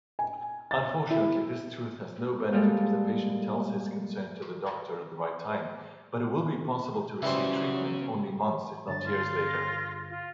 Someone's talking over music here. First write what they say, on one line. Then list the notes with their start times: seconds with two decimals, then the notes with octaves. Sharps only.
Unfortunately, this truth has no benefit if the patient tells his concern to the doctor at the right time, but it will be possible to receive treatment only months, if not years later.
0.19 G#5
0.71 A6
1.10 E4
2.52 A#2 G3 G#3 A4
7.22 C#3 E3 F#3 G3 C5
8.88 G2 D3 A6
9.06 F4
9.47 A#6
10.09 F4